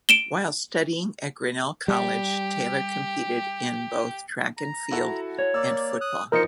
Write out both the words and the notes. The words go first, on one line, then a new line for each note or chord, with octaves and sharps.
While studying at Grinnell College Taylor competed in both track and field and football.
D7 E7 G7
G3 G4
A#5
E4 F#4 A4
C#5
A#3 D5 E6
D#6 F#6
E3 F3 D#4 A#4 C5 D#5 C#7